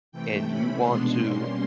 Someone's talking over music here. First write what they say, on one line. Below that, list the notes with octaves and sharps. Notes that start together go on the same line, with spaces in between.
and you want to,
C3 E3 A3 G5
C3 E3 A3 C#4 B5
B2 G#3 B3 D4 C6
B2 G3 A#3 C#4